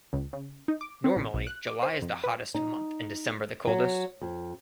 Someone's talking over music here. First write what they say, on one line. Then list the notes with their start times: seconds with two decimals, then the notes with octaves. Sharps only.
Normally July is the hottest month and December the coldest.
0.13 C#2
0.33 C#3
0.68 D#4
0.81 D6
1.04 C4
1.17 A1
1.34 B1
1.47 F#6
1.67 D6
1.83 C5
2.02 F2
2.24 B4
2.55 D#4
3.67 F#3
4.22 F2